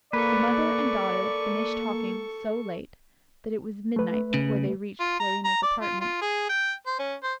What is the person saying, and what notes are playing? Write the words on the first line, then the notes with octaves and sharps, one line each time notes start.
The mother and daughter finished talking so late that it was midnight before they reached Florina's apartment.
A#3 A4 B4 D5 C#6
A3 B4
C#3
F4
A#5
A#5
D5
F4
F4
G#4
G5
C5
C#4
C5